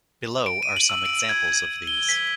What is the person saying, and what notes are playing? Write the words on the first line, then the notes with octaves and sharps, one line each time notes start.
Below are some examples of these.
D7
D#7
F#7
E6
D7
G#6
G7
B6